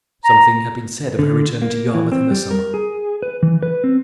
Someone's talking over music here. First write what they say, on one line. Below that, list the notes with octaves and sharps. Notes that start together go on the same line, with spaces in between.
Something had been said of her returning to Yarmouth in the summer.
A#5
D3
A#3
E3
C4
G3
A#4
G#4
B4
E3
B4
C4